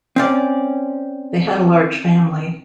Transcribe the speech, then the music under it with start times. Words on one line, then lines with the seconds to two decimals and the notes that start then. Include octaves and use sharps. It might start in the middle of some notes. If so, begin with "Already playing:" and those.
They had a large family.
0.16 C4 C#4 D5